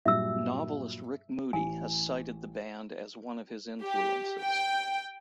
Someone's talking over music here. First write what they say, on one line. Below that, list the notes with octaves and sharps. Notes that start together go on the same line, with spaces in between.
Novelist Rick Moody has cited the band as one of his influences.
G2 A#2 F#3 E5 E6
A1 G#5
G4
G5